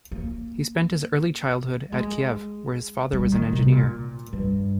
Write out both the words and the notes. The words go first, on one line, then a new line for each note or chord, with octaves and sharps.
He spent his early childhood at Kiev, where his father was an engineer.
A#3
G#3
G3
D#3
C3
A#2
G2